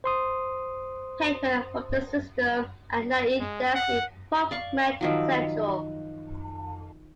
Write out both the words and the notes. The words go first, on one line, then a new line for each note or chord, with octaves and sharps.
Paper from the system are now indexed in PubMed Central.
C5 C6 D#6
G#3
F#5
D5 F5 C#6
D#3 F3 F#3